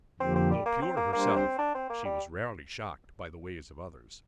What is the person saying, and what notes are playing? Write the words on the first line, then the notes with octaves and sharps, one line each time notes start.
Though pure herself, she was rarely shocked by the ways of others.
F2 D3 F3 A#3 C4 G4
C4
G3
A#3
C4
A#3
G3 A#3 D4 G4 C5
C4
D4
C4
A#3
G3